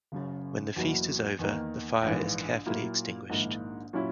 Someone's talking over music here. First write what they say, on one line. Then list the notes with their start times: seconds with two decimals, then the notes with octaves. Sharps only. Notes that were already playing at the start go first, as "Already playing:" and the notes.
When the feast is over, the fire is carefully extinguished.
0.12 F#1 F#2 C#3
0.76 E2 B2 F#3 A#3 E4
1.39 E2 D#3 A#3
2.03 A#1 G#2 E3
2.66 A#2 F#3 A#3 E4
3.29 A#1 G#2 D#3 A#3 E4
3.93 A#2 F#3 C#4 E4